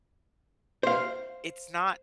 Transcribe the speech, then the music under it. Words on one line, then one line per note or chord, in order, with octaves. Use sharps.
it's not
C5 F5